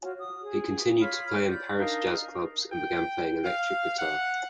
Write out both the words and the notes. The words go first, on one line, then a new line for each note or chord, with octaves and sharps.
He continued to play in Paris jazz clubs and began playing electric guitar.
F4 F#4 C#5
D#6
G#4
F4 C#5 B5
D5 G6
D4 D#4 A#4 F5
G5
F5
F#5